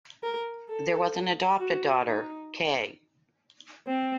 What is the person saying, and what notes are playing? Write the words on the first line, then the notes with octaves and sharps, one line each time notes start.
There was an adopted daughter, Kaye.
A#4
A4
F#4
D#4
C4